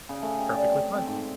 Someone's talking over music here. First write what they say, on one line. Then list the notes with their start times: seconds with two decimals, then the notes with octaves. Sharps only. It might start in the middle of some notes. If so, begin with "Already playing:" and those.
Perfectly fine.
0.09 C#3
0.22 A3
0.38 G4
0.53 D5
0.71 C4
0.95 C4
1.07 G#2